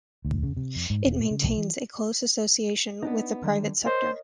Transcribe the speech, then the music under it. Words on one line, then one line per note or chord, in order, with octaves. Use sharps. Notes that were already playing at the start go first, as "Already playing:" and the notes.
It maintains a close association with the private sector.
D2
C#3
C3
F2
G#2
E1
A#2
C#3
B1
E3
B3 D4 D#4
D3 D#3 G3
A#4 C5 C#5 D#5